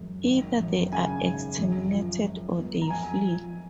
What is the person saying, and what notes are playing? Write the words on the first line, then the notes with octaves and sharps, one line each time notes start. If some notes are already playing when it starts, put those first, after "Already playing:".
Either they are exterminated or they flee.
Already playing: F#2 G#3
G#1
F#2
C#3 G#5
G#1
F#2
F3
G#3
B3
A#5
F2 G#5
F3